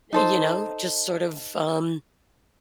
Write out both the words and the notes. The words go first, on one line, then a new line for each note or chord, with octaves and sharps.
Eh, you know, just, sort of, um
D#4 A4 C5